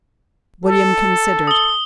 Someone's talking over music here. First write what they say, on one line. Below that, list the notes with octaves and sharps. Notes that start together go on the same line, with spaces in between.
William considered.
A4
D#6 G7